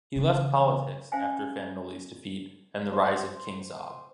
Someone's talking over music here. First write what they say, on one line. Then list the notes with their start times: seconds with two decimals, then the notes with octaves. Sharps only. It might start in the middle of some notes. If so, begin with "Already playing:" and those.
He left politics after Fan Noli's defeat, and the rise of King Zog.
0.16 C#3 E3
1.12 C#4 C5 E5 F5 G5 G#5
2.93 C5